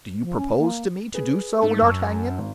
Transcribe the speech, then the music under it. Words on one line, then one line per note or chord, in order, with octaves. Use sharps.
"Do you propose to me to do so, D'Artagnan?"
F3
C#4
A#3
G#4 B4
G#2 A3
F#2 A5 C#6 E6
G#1